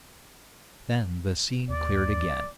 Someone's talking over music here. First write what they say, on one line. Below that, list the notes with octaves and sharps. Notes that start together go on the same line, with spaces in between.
Then the scene cleared again.
D#2 D5